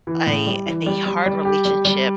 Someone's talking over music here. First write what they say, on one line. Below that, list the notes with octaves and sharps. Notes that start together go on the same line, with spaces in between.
I a hard relationship
E3
A2
G3
E3
G3
G3
G3
G4
G3
G3